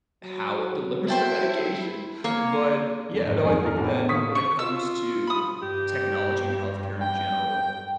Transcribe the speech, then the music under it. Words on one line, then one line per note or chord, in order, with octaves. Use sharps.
how it delivers the medication. But, yeah, no, I think that when it comes to technology and health care in general,
F#3
E4 C5 G5 A5
A#3 C#5
F1 D3
G#2
A#1 F2 G#2 G#4
A4 A#4
E2 A2 D4
D3 D#3 A#3 C#6 D#6 B6
C#6
F4 E6
B5 D#6
G2 G4
G5